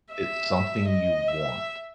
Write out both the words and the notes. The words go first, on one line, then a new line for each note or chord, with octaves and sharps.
It's something you want.
E5
D#5
E5